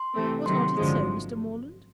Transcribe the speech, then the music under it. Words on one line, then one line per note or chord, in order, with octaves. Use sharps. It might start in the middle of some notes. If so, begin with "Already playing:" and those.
Was not it so, Mr. Morland?
Already playing: C6
C3 E3 A3 C4
C3 D#3 F#3 C6
G#1 F#2 D3 F3 G#3